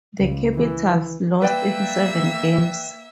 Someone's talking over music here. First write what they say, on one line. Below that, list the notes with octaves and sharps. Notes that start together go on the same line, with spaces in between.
The Capitals lost in seven games.
C#2
E3
A#3 B4 D5 E5 G5 E6